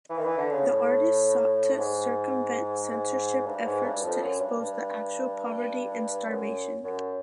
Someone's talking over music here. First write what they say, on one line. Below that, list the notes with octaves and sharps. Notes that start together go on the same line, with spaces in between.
The artists sought to circumvent censorship efforts to expose the actual poverty and starvation.
E3
D#3
E3
D3
C#3
A2
A2
G#2
G#2
G2
G#2
G2
F2
F#2
G2
G2
F#2
F#2